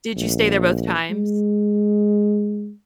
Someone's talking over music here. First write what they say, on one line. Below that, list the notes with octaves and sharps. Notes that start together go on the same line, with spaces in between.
Did you stay there both times?
A#1
G#3